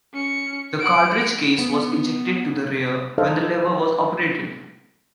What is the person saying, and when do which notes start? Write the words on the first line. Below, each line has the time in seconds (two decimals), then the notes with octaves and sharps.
The cartridge case was ejected to the rear when the lever was operated.
0.13 C#4 C#7
0.79 F#5 D7
1.58 B3
3.18 D#4 A4 C5 D#5 F5